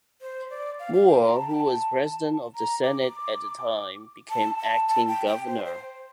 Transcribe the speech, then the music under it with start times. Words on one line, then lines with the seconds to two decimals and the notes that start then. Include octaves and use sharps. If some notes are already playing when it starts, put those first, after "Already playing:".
Moore, who was president of the Senate at the time, became acting governor.
0.21 C5
0.50 D5
0.79 F5
0.93 F5
1.08 G5
1.24 A#5
1.36 A5
1.49 G5
1.60 A5
2.55 A#5
2.84 D6
4.30 A5
4.59 A5
4.88 A5
5.08 G5
5.27 G5
5.47 C5
5.65 C5